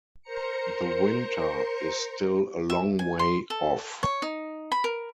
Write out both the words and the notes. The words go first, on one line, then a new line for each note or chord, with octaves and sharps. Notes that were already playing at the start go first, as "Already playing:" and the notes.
The Winter is still a long way off.
A#4 C5 A#5 C#7
E5
G#5
C6
A4
C#5
D#4
B5
A#4